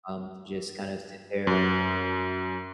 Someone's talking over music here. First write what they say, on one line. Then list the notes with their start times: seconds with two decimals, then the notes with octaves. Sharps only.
um, to just kind of sit there,
1.47 F#2